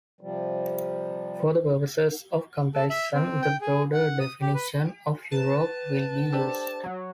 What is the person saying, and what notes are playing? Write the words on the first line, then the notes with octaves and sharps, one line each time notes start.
For the purposes of comparison the broader definition of Europe will be used.
C3 F3 G3
A4
E5
C4
G5
G#4
F#5
D#6
G4
B4
B4 A5
D4 G4 A4 C5
F#3